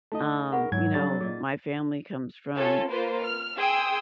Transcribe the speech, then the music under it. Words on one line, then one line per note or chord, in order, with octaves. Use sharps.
um, you know, my family comes from,
A3 D#4 D#5 A5
G#4 A#4 F#5 B5 C#6
G#2 E3 F#3 G#5 G#6
G3 D4 D#4 A4 C#6 A6
A#2 G#4 D5 D#5
C#4 F4 A4 C#5
A#3 F4 B4 C5
F6
G#4 G5 C6 D#6 E6